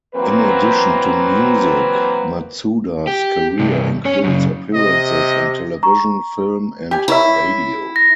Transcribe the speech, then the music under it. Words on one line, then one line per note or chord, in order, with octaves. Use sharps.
In addition to music, Matsuda's career includes appearances in television, film, and radio.
E3 F#3 A#3 C4 B4
G4
G2 C3
C#4 C#5
F#2 C#3
C3 D#5
A#5 C#6
G4 G#5
E4 A#4 C#5 E5
A#6